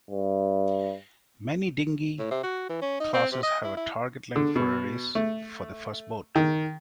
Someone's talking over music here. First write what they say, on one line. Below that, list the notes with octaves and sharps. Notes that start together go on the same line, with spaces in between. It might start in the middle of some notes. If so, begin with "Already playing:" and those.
Many dinghy classes have a target length for a race for the first boat.
G2
A2
C3
F#4
E3
C#4
D#4
C4
C3
D#5
E4
E4
D3
B2
A3
D#3